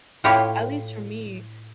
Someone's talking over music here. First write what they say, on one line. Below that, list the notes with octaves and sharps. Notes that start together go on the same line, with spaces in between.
at least for me,
A2 E4 F4 G4 C#5